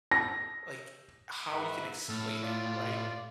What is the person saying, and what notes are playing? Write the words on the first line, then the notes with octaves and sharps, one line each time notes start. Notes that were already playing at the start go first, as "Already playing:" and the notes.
like, how you can explain it, right?
A#6
G#2 B4 E5
A2 A4 A5 F6
F4 D5